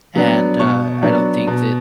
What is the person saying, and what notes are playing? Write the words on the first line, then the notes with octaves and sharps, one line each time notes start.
And, uh, I don't think that
F#3 B3 D4
B2 C#6
F#3 B3 D4
B2